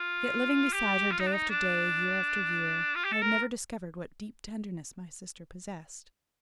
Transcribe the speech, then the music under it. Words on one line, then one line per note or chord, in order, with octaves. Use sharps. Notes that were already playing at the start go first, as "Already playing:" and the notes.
Yet, living beside her day after day, year after year, I had never discovered what deep tenderness my sister possessed.
Already playing: F4
G4
F4
D#4
D4
D#4
D4
F4
G4
A4
A#4